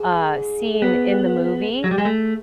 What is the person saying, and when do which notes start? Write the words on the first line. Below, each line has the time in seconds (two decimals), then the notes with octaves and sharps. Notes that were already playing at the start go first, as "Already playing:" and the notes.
uh, scene in the movie.
Already playing: G#2
0.82 B3
1.84 F#3
1.91 G3
1.98 G#3
2.05 A3